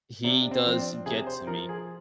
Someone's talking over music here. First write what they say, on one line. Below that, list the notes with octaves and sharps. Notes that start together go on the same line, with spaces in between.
he does get to me.
C3 D4
D4
C4
F3 C4
D4
C3 G#4
C5
F3 A#4
G#4